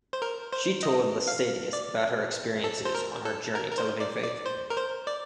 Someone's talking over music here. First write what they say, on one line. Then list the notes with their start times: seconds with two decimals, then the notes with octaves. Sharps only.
She told Laestadius about her experiences on her journey to living faith.
0.13 C5
0.22 A#4
0.53 C5
0.83 D#5
1.28 F5
1.73 D5
2.64 A4
2.85 C5
2.95 A#4
3.25 A4
3.55 A#4
3.71 A#4
3.78 C5
4.00 D5
4.23 D5
4.46 C5
4.70 A#4
4.77 C5
5.07 D5